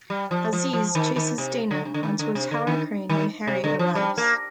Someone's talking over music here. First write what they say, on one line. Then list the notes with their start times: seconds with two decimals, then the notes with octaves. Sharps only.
Aziz chases Dana onto a tower crane when Harry arrives.
0.10 G3
0.31 F3
0.53 F3
0.73 F3
0.95 D#3
1.16 D#3
1.38 C3
1.71 D3
1.85 C3
1.94 D3
2.03 D#3
2.19 D3
2.35 C3
2.51 D3
2.67 D#3
3.09 D#3
3.47 C3
3.64 D3
3.79 F3
3.95 G3
4.18 A#3